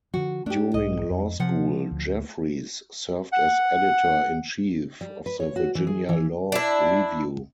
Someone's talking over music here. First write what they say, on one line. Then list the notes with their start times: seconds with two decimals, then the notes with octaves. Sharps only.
During law school, Jeffries served as editor-in-chief of the Virginia Law Review.
0.14 D3 F3 F#4
0.46 A3 D4 G4
0.74 B1 G#2 G#3 D#5
1.10 F2
1.40 C3 F3 F#5
1.91 D2
3.33 F#5
5.01 G3
5.26 B4
5.40 C#5
5.56 F#4
5.75 E3
5.87 G#4
6.09 E3
6.52 D4 E4